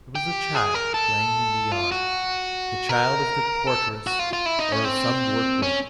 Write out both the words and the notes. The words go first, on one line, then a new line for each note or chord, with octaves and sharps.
There was a child playing in the yard--the child of the portress or of some work-woman.
G4
G#4
A#4
A4
F4
F#4
A#4
A4
F#4
F4
F4
E4
D#4
C#4
C4
C#4